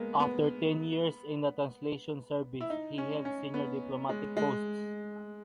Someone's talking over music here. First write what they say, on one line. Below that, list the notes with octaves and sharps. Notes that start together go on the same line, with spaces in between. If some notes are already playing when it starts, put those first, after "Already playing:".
After ten years in the translation service, he held senior diplomatic posts.
Already playing: G#3 A#3 B3
B3
E4
D#4
C#4
C#4
B3
G#3
G#3